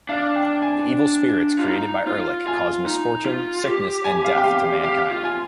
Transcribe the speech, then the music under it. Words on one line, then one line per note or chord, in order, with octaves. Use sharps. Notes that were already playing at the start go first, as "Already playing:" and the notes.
The evil spirits created by Erlik cause misfortune, sickness and death to mankind.
D4 F5
G5
G#5
F4
D#4
F4
F4 G#5
D#4
F4
G4
G#5
F5
G5
F5
F5
G4 F5
F4
G#5